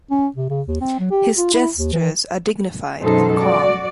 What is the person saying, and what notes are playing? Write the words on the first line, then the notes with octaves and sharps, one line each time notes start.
His gestures are dignified and calm.
C#4
C3
C#3
D#2
C4
F#3
G4
F4
E4
D#2
E3
F#2 B2 G#3 D#4 A4 C5
F#4 D5